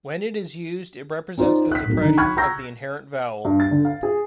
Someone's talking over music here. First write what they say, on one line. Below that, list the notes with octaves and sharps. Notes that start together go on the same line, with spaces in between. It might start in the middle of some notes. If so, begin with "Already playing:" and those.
When it is used, it represents the suppression of the inherent vowel.
C#4 D#4 F4 C5 D5
F#6 B6
B1 F#2
D3 D#4
B5 C#6 F6 F#6 G#6
A#5 C#6 E6 G6 A#6
G2
A6
D3
F5
G#4